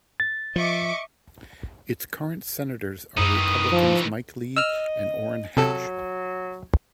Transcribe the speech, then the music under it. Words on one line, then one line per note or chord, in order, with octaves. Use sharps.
Its current senators are Republicans Mike Lee and Orrin Hatch.
A6
F3 D#5 E5 C#6 D6
F#2 D#3 E3 G#3 D#6
F3
D#5 E6 F6
C3 F#3 A4